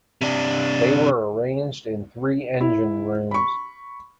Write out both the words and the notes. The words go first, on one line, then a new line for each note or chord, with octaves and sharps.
They were arranged in three engine rooms.
C3 D4
E4
B5 C#6